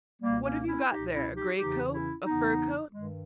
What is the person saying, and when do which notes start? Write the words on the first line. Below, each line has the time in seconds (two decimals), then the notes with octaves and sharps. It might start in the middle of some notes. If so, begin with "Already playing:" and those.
What have you got there, a great-coat, a fur coat?
0.21 C#2 B2 G3 A#3
0.44 A#3 C#4
0.66 C#4 E4
0.88 C#2 B2 D#4 G4
1.11 C#4 E4
1.34 D#4 G4
1.56 E2 C#3 E3 D#4 G4
1.90 C#4 E4
2.24 E2 C#3 E3 B3 D#4
2.92 G2 D#3 G#3